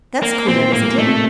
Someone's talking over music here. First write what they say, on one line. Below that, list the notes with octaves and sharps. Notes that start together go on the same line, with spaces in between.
That's queer, isn't it?
A#3
A#2 C4
A2 A#3
A#2
A3
C3